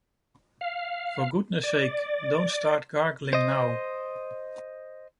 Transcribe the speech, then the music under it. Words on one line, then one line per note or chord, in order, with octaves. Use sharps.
For goodness' sake, don't start gargling now.
F5
D5
C5 D#5